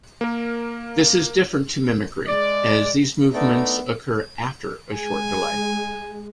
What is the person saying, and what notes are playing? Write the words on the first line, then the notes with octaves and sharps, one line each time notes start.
This is different to mimicry, as these movements occur after a short delay.
A#3 A#4
G#3 D5
A3 B3 D4 D#4 E5
G#3 G#5